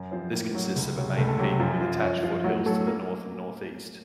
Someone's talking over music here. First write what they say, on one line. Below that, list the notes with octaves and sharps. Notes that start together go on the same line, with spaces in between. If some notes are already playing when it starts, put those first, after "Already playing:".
This consists of a main peak with attached foothills to the north and northeast.
Already playing: F#2
F3 C4 C5
A2 A#3 A#4
F#3
C#2
C3 F#3
C#2 A3 A4
A4
C3 F#3 F#4
F#2 F3 F4
F3 F4
F#2 C#4
F3 F4
A2 F#3 F#4
F#3 A3 A4
A#3 A#4